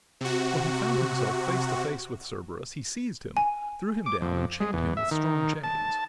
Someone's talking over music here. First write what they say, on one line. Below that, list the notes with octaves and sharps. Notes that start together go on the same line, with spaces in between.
When he found himself face to face with Cerberus he seized him, threw him down and chained him with strong chains.
C3 F#4
G#5
D6
F2
G#3
E2
E5
D#3
A5